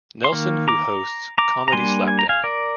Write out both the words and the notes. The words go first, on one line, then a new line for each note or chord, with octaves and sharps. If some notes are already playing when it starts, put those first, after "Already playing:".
Nelson, who hosts "Comedy Slapdown".
C6
D#3 A#3
A#5 D6
A#5 D6
A#5
G3 A#3 D4 G#5 C6
G#5
A#5
F5 G#5
A#4 D5